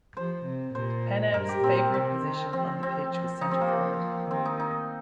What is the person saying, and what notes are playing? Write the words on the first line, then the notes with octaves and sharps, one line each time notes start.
Penev's favourite position on the pitch was centre forward.
F3 C5
C3
A#2 C5
G2 A#4
G4
A#2 C4
C3 C4
D#3
F3 C4
C4
F3
F3 D#4
C4
A#3
D#3 C4
D#4
D#4